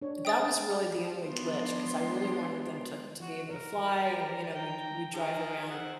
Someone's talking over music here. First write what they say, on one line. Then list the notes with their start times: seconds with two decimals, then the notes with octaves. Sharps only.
that was really the only glitch 'cause I really wanted them t to be able to fly and, you know, we d we drive around
0.02 D4 C#5
0.25 G5 D#6 A6
1.27 F3 G#3 B3 D4 C6
3.20 F#4
3.51 A#4
4.43 D5
4.55 G5 A#5
5.13 D#3 G#4 A#4
5.70 C4 F#5